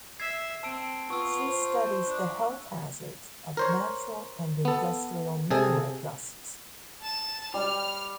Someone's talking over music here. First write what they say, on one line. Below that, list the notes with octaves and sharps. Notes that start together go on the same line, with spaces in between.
She studies the health hazards of natural and industrial mineral dusts.
E5 G#6 C7
C4 A5 E6 D7
B3 F4 C#6 E6
C5
D4
A#4 C5 C#5
B3 A4
C3 G#4 A4
A5 E7
G3 F6